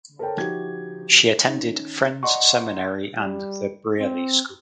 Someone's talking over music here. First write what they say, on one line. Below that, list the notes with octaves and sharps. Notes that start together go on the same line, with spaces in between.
She attended Friends Seminary and the Brearley School.
A4 A#4 C5 C#5 G5 A5
F3 D#4 F#4 G4 G#6
D#3 C#4 D#4
D5 D#5 F#5 A#5 C6 C#6
G3
C4